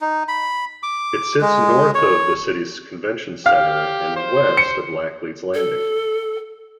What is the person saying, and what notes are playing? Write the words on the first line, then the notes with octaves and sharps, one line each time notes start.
It sits north of the city's convention center and west of Laclede's Landing.
D#4
B5
D6
G#3
C#5
G4 F5 F6
C5
C#7
A4